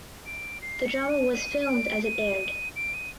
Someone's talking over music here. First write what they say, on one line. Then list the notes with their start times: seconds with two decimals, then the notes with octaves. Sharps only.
The drama was filmed as it aired.
0.26 D7
0.62 C7
0.85 C#7
1.10 D#7
1.33 D#7
1.61 D#7
1.69 D7
2.05 D#7
2.76 D7
2.94 D#7